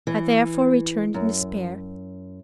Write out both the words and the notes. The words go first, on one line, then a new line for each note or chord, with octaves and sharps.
I therefore returned in despair.
E3
F#2